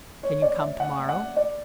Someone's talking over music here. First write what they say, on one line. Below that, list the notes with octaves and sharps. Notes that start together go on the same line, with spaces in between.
"Can you come to-morrow?"
C#5
D5
E5
F#5
F#5
D5